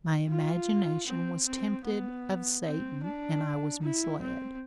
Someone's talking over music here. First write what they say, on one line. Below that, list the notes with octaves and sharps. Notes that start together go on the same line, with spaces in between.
My imagination was tempted of Satan an' I was misled.
F4
C4
C4
B3
C4
D4
E4
C4